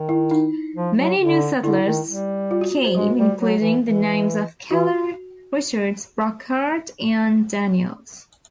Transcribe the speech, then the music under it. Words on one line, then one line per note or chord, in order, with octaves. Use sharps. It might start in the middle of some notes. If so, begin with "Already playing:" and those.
Many new settlers came, including the names of Keller, Richards, Brockhart, and Daniels.
Already playing: D#3
E4
D#4
F3
F#3
D3
D3 E4
D#3
G3
F4
F#4
C5
G#3 F#4
G3
F#3
E3
E3
E3 F#4